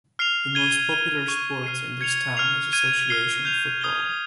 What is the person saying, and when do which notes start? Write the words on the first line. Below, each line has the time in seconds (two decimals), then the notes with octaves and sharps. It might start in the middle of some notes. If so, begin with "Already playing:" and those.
The most popular sport in this town is association football.
0.19 F6 C7 F7
0.55 G#6 D#7 G7
0.91 G#6 D#7 G7
1.28 C#6 G#6 D#7
1.64 F6 C7 D#7
2.01 G#6 C#7 F7
2.37 F6 C7 F7
2.73 F6 G#6 D#7
3.09 F6 C7 G7
3.45 G6 C7 F7
3.81 D#6 G#6 D#7 G7